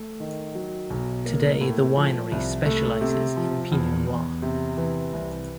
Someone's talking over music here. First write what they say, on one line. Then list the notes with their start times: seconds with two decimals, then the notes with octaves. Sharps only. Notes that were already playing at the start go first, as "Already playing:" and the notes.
Today the winery specializes in Pinot noir.
Already playing: A3
0.20 D#3
0.55 F#3
0.90 B1
1.25 A#3
1.61 A2
1.96 F3
2.31 C2
2.66 A3
3.01 C3
3.37 F3
3.72 E2
4.07 E2
4.42 C3
4.77 E3
5.13 C2